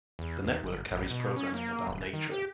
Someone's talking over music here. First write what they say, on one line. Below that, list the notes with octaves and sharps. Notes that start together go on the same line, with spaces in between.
The network carries programming about nature.
E2
D#2
G1
A1
B2
C#4
A#3
D1
D#3
G4